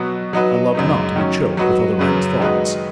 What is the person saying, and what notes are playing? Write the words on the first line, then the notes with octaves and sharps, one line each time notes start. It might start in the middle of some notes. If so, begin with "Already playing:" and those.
I love not to be choked with other men's thoughts.
Already playing: B2 F#3 B3
F#3 D#4 F#4 B4
F#2 C#3 G#3 D#4
D#3 F#3 C#4
F#3 D#4 F#4 B4
F#2 C#3 F#3 C#4 B4
D#3 G#3 D#4 F#4 B4